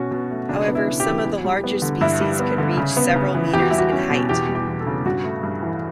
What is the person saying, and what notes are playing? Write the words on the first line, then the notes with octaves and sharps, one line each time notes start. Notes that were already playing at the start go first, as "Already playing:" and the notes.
However, some of the larger species can reach several metres in height.
Already playing: B2 C#4 F#4
B2
A3
C#3 D4
B3
E4
C#3
G4
E3
E2
G3
B3
D3
G2 E4
G3
B3
D3
C#3
B3
C#3
E3
E2 G4
F#4
G3 E4
F#4
C#4
B2
E2 G4
G3
G4
E2
A4
C#3
G2 F#4
A3
G2
E3